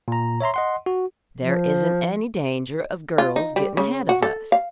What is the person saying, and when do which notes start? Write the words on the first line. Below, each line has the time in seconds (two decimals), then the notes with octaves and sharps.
"There isn't any danger of girls getting ahead of us."
0.08 A#2 A#5
0.41 C#5 E5 A#5 C6
0.54 D#5 F#5 C6
0.86 F#4
1.38 F3
3.18 F4
3.36 D#4
3.56 G3
3.77 C#3
4.09 F#4
4.22 A4
4.52 F5